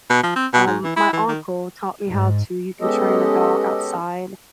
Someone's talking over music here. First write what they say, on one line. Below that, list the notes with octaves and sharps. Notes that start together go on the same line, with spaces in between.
um, my uncle taught me how to, you can train a dog outside,
B2
F3
C4
B2
G#2
E3
E4
E3
D#3
G#2
G#3 B3 C#4 G4 A4 D#5